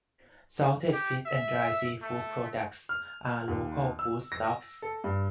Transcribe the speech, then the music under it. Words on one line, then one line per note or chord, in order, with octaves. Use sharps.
Salted fish and dried seafood products are local good stuffs.
G4
E5
A3
F6
D#2
E6
A#6
A4
G2